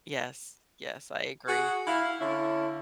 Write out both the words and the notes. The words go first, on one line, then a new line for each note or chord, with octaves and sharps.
Yes, yes, I agree,
F#4 G#4
E4 F5
D3 C#4 E4